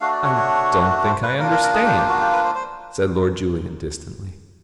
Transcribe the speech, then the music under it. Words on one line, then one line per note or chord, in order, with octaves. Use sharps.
"I don't think I understand," said Lord Julian distantly.
A3 D4 F#4 F5
D5
C#5
C#5
C5
B4
A#3 D4 F4 A#4
A#4
A#4
G#4
G4
G4
F#4
G4
B4
C5
C5